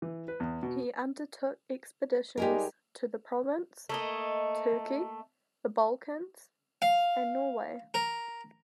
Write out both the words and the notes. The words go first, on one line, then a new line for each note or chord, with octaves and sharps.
He undertook expeditions to the Provence, Turkey, the Balkans, and Norway.
E3
B4
E2
B2
G#2 G3 G#3 G4 G#4 A#4
A3 A#3 D#5
F5
A#4